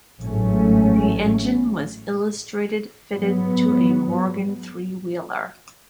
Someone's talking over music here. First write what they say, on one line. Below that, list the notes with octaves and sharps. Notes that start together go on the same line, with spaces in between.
The engine was illustrated fitted to a Morgan three-wheeler.
A1 G#2 F#3 A3 C#4
G#2 F#3 B3